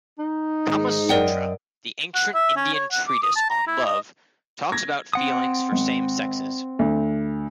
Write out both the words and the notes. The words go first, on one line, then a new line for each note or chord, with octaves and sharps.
Kamasutra, the ancient Indian treatise on love talks about feelings for same sexes.
D#4
G#2 D#3
F#2 A#4 D5 D#5 F#5 G5
F#5
E5
C#4
C#5
F#5
D6
D#6
A5
A#5
E4
D#5
G#6 A#6
C4 F#5 D#6
G#1
D2